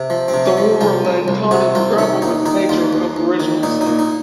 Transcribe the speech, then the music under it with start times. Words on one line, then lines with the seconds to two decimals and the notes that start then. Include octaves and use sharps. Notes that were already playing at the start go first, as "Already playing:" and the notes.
The war led Tawney to grapple with the nature of original sin.
Already playing: C3
0.10 F3
0.28 C4
0.34 C3
0.46 C#4
0.57 F3
0.81 C2 F4
1.05 C2
1.28 C2
1.51 C3 F#4
1.75 C2 F4
1.98 D#3 C#4
2.22 D#2 D#4
2.46 D#3 D#4
2.69 D#2 F4
2.93 D#2
3.16 D#2
3.40 D#3
3.63 A#2 D#4
3.81 D#4
3.87 A#2
3.99 D#4